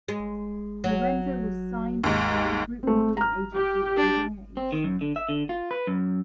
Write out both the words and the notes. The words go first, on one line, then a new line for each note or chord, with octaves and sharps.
Lorenzo was signed by the Group modeling agency at a young age.
G#3
F#3
D#2 G#2
A3 C4
A#5 F6
G4
D4
C4
D#3
F#2
D3
E5
D3
F4
B4
F#2